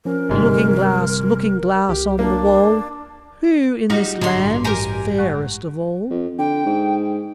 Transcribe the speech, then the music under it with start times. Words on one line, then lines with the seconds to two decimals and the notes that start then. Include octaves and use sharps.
"Looking-glass, Looking-glass, on the wall, Who in this land is fairest of all?"
0.05 F3 C#4 A#4
0.29 G1 D#2 G#2 C3 G3
1.89 C2 G4
2.19 A#3 D4
3.90 G3 D#4 F4 F#4 G#4 D#5
4.21 A1 G2 D3 F#4 D#5 A#5 C6
4.65 G4 A#4 G#5 A#5
5.19 G#3 C#6
6.10 F2
6.39 D3 G5
6.66 G#2